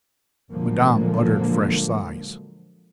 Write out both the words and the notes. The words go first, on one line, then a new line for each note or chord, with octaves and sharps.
Madame uttered fresh sighs.
A#2 D3 F3 F#3 G#3 A#3